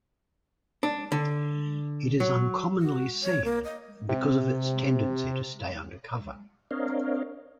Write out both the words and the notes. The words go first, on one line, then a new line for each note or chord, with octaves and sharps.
It is uncommonly seen because of its tendency to stay under cover.
D4
D3
F#3
F#4
C#5
A#3
D#5
C3
C4 D4 A#4 C#5 D#5 F5